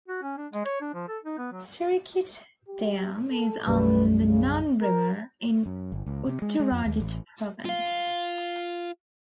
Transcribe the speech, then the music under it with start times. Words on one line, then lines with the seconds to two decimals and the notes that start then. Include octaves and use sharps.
Sirikit Dam is on the Nan River in Uttaradit Province.
0.08 F#4
0.23 C#4
0.38 D4
0.53 G#3
0.66 C#5
0.81 D4
0.94 F3
1.08 A4
1.25 D#4
1.38 B3
1.52 F#3
2.68 G4
3.31 A4
3.67 B1 F#2 G3 B4
4.24 C#3
4.82 A#4
5.66 F#2
5.92 G1
6.06 C#2
6.27 C3
6.42 G#3
6.60 G#3
6.72 F2
6.86 D#2
7.00 A1
7.65 F4 F5